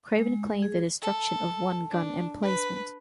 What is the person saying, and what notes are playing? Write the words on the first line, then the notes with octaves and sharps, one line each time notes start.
Craven claimed the destruction of one gun emplacement.
G#3
G#4
A4
D4
B4